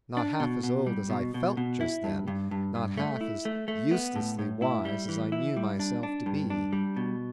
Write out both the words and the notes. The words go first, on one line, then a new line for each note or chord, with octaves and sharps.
Not half as old as I felt just then; not half as uselessly wise as I knew myself to be.
D4
B2
B2
G3
B2
B2
B2
E4
G2
G2
G2
G2
A3
E4
A3
A3
B3
A2
A2
E4
G3
E3
E4
G3
D4
D4
G2
D4
G3
B2